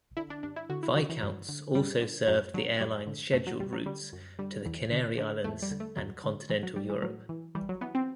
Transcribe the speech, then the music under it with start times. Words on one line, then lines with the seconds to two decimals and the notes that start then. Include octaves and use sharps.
Viscounts also served the airline's scheduled routes to the Canary Islands and Continental Europe.
0.17 D3 E4
0.30 D4
0.43 G2 D4
0.56 E4
0.69 D3 F#4
0.83 E4
0.96 D3 F#3
1.09 E3
1.22 G2 F#3
1.49 D3
1.75 G2 G3
2.01 D3
2.27 F#2 F#3
2.54 D3 F#3
2.80 F#2 G3
3.07 D3
3.33 F#2 A3
3.47 F#3
3.60 F#2 G3
3.73 F#3
3.86 D3 G3
4.13 F#2
4.39 D3 G3
4.65 E2
4.92 D3
5.18 D3
5.44 E2 A3
5.62 G3
5.71 D3
5.80 A3
5.97 E2 F#3
6.24 D3
6.50 A2 E3
6.63 F#3
6.76 A2 G3
6.89 E3
7.02 A2 F#3
7.29 E3
7.55 E3 G3
7.69 F#3
7.81 E3 B3
7.95 C4